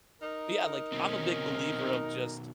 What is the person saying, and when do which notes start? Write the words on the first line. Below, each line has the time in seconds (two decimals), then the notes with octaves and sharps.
but yeah, like, I'm a big believer of just
0.22 D#4 A#4
0.92 B2 D#3 C4 C#4